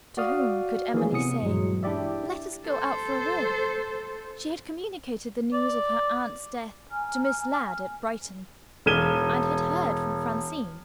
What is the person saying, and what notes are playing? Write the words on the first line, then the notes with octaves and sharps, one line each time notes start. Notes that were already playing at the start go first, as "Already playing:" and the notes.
To whom could Emily say, "Let us go out for a walk?" She had communicated the news of her aunt's death to Miss Ladd, at Brighton; and had heard from Francine.
F#4 D5 F5 D#6 F6
E3 F3 A#3 D4 G#4 C#5
C3 B3 D#6 C#7
G2 A#2 E3 F#3 G#3
D4 E4 G4 D5 E5
A4 C5
D5
G#5 A#5 F6
E1 F6 G#6 D#7 G7